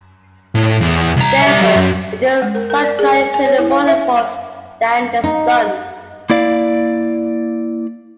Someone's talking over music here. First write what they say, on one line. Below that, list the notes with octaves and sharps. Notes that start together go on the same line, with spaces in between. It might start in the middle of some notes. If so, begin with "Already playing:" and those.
Therefore, it is a subgiant clearly more evolved than the Sun.
A2
E2
C2 A#5
G3 E5
F#3 G4
F#2
G#3
A#4
A#4
D5
G#4
G#5
G#5
C#5
E4
F5
E5
D#4
A#3 E4 D5 F5